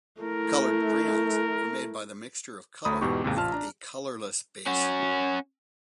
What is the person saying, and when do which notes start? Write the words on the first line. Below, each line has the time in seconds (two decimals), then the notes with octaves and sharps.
Coloured crayons are made by the mixture of colour with a colourless base.
0.21 A3 E4 A#4
2.85 D2 A3 A#5 B5 D#6
3.01 E2 G#2 B2 G4 C#6
3.24 D#2 G#2 C3
3.36 A1 F4 A5 F6
3.52 D4 A#5
4.67 C#4 F#4